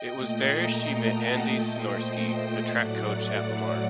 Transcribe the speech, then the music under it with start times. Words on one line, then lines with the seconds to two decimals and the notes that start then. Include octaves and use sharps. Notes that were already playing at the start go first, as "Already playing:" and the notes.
It was there she met Andy Senorski, the track coach at Lamar.
Already playing: D#5 G5
0.13 A#2 A3
0.45 G5 A#5
1.10 F#5 A5
1.42 A#2 A3 D#5 G5
1.74 C5 D#5
2.05 C5 D#5
2.70 A2 F#3 A3 D5 F#5
3.35 D5 F#5